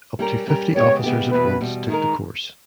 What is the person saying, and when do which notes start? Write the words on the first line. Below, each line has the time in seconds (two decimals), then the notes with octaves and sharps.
Up to fifty officers at once took the course.
0.19 G3 C#4 G4 A#4
0.47 G3 C#4 G4 A#4
0.75 C#3 G#3 B3 G4 C#5
1.04 C#3 G#3 B3 G4
1.32 E2 B2 G3 B4
1.61 E2 B2 G3
1.89 D#3 G#3 D#4 A#4